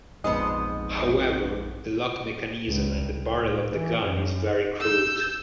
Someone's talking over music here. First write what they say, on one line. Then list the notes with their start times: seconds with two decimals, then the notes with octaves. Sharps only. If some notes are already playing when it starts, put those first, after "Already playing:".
However the lock mechanism and the barrel of the gun is very crude.
0.24 A#1 F2 G#2 B3 G#4 C5 D#5
2.67 C#2
2.98 C2
3.39 A2
3.70 E3
4.01 F#2
4.81 E6 G6